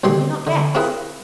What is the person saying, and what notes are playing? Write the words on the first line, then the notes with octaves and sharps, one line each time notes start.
Can you not guess?
B1 D3 D#3 G3 C6
D3
C4 E4 F4 G#4 A#4 B4